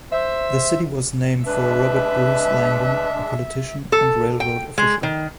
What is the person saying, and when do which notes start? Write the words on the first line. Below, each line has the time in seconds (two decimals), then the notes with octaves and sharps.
The city was named for Robert Bruce Langdon, a politician and railroad official.
0.12 C5 E5
1.46 G#3 D4 B4 E5
3.92 A4
4.40 G5
4.78 G#3
5.03 D#3